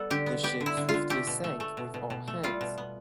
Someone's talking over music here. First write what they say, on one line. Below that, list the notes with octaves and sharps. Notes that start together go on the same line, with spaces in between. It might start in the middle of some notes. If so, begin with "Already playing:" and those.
The ship swiftly sank with all hands.
Already playing: G3 B3 A4
D3 G4
B3
B3 G4
D3
E4
D3
F4
D3
A3 G4
B2
A3
A3
B2
B2
B2
A3
G3 F4
B2
B3